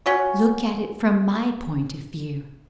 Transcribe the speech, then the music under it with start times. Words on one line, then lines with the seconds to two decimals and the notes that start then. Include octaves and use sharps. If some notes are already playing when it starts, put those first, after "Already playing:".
Look at it from My point of view.
0.06 C#4 F#4 C#5